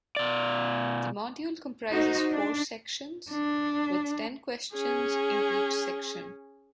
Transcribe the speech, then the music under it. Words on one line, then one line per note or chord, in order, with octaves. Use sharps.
The module comprises four sections, with ten questions in each section.
B2 D5
D#4 F#4 C5
D4
D4
C#4 G#4